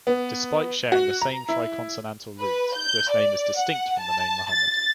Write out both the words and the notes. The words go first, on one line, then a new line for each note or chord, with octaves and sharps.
Despite sharing the same triconsonantal root, this name is distinct from the name "Muhammad".
B3
F#4
A#5
E4
B4
G6
D5
F#5
A5
A6